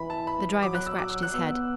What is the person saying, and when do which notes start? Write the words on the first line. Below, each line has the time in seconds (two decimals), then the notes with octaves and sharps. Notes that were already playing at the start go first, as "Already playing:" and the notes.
The driver scratched his head.
Already playing: E3 B5
0.10 A5
0.27 B5
0.63 F#3 D6
0.75 F#6
0.86 E6
0.98 F#3 D6
1.10 E6
1.23 F#6
1.34 B3 E6